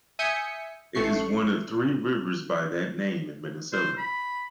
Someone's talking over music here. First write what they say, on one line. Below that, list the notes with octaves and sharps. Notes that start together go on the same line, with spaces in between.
It is one of three rivers by that name in Minnesota.
E5 G#5 D#6 G6 B6 C#7
A1 A3 C#6 C7
C5
B5